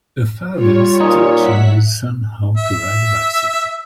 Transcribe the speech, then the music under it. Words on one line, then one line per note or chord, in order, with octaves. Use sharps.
A father is teaching his son how to ride a bicycle.
G3 F4 C#5
A#2 D#4
E5 F#5 B6
E5